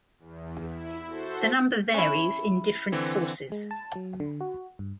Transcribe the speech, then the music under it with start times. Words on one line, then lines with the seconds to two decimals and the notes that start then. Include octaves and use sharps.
The number varies in different sources.
0.19 E2
0.67 E4
1.08 F#4 A4 C5
1.94 C#4 E4
2.92 D3 E3 C4
3.52 G#3
3.71 A5
3.95 F#3
4.20 D3
4.41 F#4
4.79 G2